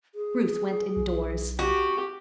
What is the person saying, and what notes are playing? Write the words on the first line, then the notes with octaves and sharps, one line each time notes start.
Ruth went indoors.
G#4
B1
F#4 G4